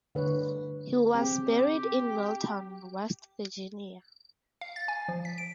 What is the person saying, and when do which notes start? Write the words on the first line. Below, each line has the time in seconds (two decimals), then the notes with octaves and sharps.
He was buried in Milton, West Virginia.
0.15 D3 B4 C#5
1.15 C4 G4 G#4
4.61 F5
4.76 A6
4.88 G#5
5.08 F3
5.25 B6
5.38 D7